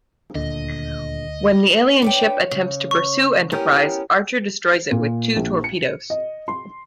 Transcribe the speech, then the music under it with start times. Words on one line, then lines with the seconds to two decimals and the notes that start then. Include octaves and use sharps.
When the alien ship attempts to pursue "Enterprise", Archer destroys it with two torpedoes.
0.35 D#1 D2 A#2 D3 D#5
2.02 D4 B4 C#5 G5
2.51 C#3
2.91 C#6
3.52 B3 C#4 E4 G4 A#4 G5
4.91 A#2
5.36 A#1
5.64 C#7
6.10 D#5
6.48 C6